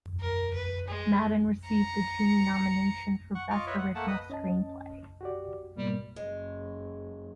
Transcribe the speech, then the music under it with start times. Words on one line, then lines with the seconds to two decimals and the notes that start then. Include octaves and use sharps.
Maddin received a Genie nomination for Best Original Screenplay.
0.20 A#4
0.54 B4
0.88 G#3
1.66 A#5 C#7
3.35 F#5 C#6
3.51 F4 D#5 C#6 D6 F6
3.67 F4 B4 C#5 D#5 E5
3.78 F#5
3.95 A3 A#3 F#5 A5
4.07 B4 D#5 D#6
4.30 C#4 D#5 A5
5.21 F#4 G4 D5
5.77 G#2 B2 G3 A#3
6.16 F#1 G#3